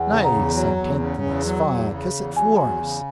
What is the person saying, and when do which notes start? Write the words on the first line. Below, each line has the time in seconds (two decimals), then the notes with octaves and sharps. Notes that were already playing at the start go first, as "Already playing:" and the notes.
Nay, St. Anthony's fire kiss it for us!
Already playing: E2 F#5 G#5
0.09 C#3
0.24 A#5
0.32 E2
0.54 F#3
0.77 E2
1.00 C#3
1.23 E2
1.45 F#3
1.68 E2
1.91 C#3
2.14 E2
2.37 F#3 G#5
2.59 E2
2.82 C#3